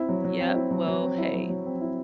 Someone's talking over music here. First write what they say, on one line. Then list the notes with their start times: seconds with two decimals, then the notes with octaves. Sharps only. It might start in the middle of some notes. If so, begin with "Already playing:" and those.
Yup, well hey,
Already playing: C4 E4
0.09 F#3
0.24 F#3
0.40 C4
0.56 E4
0.71 F#3
0.88 F#3
1.02 C4
1.18 E4
1.34 F#3
1.49 F#3
1.66 C4
1.81 E4